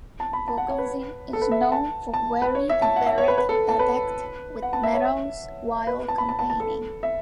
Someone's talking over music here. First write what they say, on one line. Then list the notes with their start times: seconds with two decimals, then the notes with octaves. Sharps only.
Pokonzie is known for wearing a beret bedecked with medals while campaigning.
0.20 A5
0.33 B5
0.48 A5
0.58 F#5
0.68 C#5
0.78 B4
1.33 A4
1.42 B4
1.52 E5
1.61 F#5
1.72 A5
2.14 A5
2.42 B4
2.55 C#5
2.70 E5
2.82 A5
2.96 F#5
3.07 E5
3.18 C#5
3.28 B4
3.38 B4
3.49 A4
3.69 A5
3.79 B4
4.62 F#5
4.73 A5
4.83 E5
4.93 C#5
5.04 E5
5.87 B4
6.08 A5
6.18 B5
6.29 A5
6.39 A5
6.50 A5
6.60 A4
7.03 E5